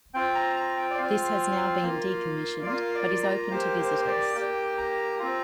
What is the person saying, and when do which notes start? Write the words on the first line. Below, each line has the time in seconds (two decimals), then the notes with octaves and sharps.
This has now been decommissioned, but is open to visitors.
0.14 C4 F4 G5
0.35 A#5
0.56 A#5
0.77 G5
0.91 D5
0.98 C4 F4 F5
1.83 A#3 F4
2.62 D5
2.67 A#3 F4 F5
2.95 D5
3.23 A#5
3.51 A#3 G4 C5
3.79 C5
4.01 C5
4.07 D5
4.35 A#3 G4 G5
4.77 A#5
5.19 C4 F4 A#5